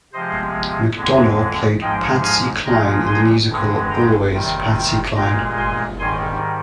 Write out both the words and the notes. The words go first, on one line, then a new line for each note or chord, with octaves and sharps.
McDonough played Patsy Cline in the musical "Always...Patsy Cline".
C3 F3 G#3 C5 D#5
F2 D3 G#3
G#2 F3 G#3 D#5 G5
F5 G#5
A#2 F3 G#3 G5 A#5
G#5 C6
G2 D3 G#3
G5 A#5
C3 D#3 G3
A#2 G#3 G5 A#5
G#5 C6
G#2 D#3 G3 G#5 C6